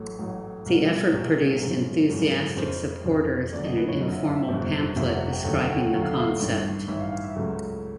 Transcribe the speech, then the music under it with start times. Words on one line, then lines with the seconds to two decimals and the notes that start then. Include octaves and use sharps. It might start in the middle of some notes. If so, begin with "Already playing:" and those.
The effort produced enthusiastic supporters and an informal pamphlet describing the concept.
Already playing: A1 A2 F#3 A3 A4
0.17 A1 A2 F#3 A3
0.66 C2 B2 G3
1.13 C2 B2 G3 G#4
1.26 A4
1.37 G#4
1.50 A4
1.61 G#1 F#2 C#3 F3
2.09 G#1 F#2 C#3 F3 A4
2.57 F2 C#3 F3 C5
3.04 F2 C#3 F3
3.53 F#1 F#2 D3 D5
3.64 D#5
3.77 B4
3.88 C#5
4.00 F#1 F#2 D3 D#5
4.13 E5
4.25 F5
4.36 E5
4.49 G1 F2 C3 F3
4.96 G1 F2 C3 F3 E5
5.08 F#5
5.20 F#5
5.32 G5
5.44 D#2 D3 F#3 A3 F#5
5.57 F5
5.63 G5
5.69 F#5
5.81 F#5
5.92 D#2 D3 F#3 A3 F#5
6.01 F5
6.11 E5
6.19 F5
6.40 A1 G2 D#3
6.88 A1 G2 D#3 E5
7.00 F5
7.12 F5
7.24 E5
7.36 C#2 C#3 F#3 A3